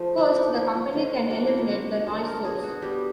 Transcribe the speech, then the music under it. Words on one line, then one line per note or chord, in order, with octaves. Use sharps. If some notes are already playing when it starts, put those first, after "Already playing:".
First, the company can eliminate the noise source.
Already playing: F3 A3
D3 D4
D#4 E4
F3 A3 E4
F4
D3 F4
F#3 A#3 F#4
E4
F4
D3 F#4
F#3 A#3 A4
A#4
B2 G#4
F#4
G3 B3 G4